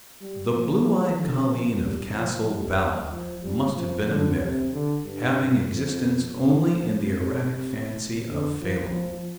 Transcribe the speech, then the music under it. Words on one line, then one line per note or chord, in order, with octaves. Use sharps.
The "blue-eyed colleen" of Castle Ballagh must have been a myth--having existence only in the erratic fancy of Phelim.
G3
F3
F3
D3
F3
G3
F3
G3
F3
G3
F3
D3
C3
D3
G2
F2
G2
F3
C3
D3
F3
F3